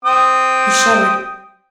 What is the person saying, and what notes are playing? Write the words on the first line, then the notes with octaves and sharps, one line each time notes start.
He shuddered.
C4 G5 D#6